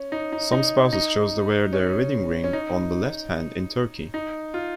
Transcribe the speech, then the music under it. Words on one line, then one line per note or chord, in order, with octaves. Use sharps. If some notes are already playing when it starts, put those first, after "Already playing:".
Some spouses choose to wear their wedding ring on the left hand in Turkey.
Already playing: C#4
D#4
D#4
D#4
D#4
C#4
C#4
D#4
D#4
F4